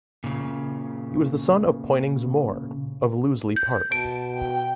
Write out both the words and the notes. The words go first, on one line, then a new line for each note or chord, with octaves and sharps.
He was the son of Poynings More of Loseley Park.
A#2 C#3
G6
B2 A5 D7
G5